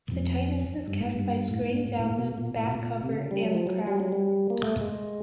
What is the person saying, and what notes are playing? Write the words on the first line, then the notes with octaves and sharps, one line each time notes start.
The tightness is kept by screwing down the back cover and the crown.
F2
G2
G#2
G2
A2
G#2
G#2
A2
B2
A#2
A2
B2
A#2
C3
C#3
G3
F#3
F3
F#3
G3
F#3
G3
A#3
A3
G#3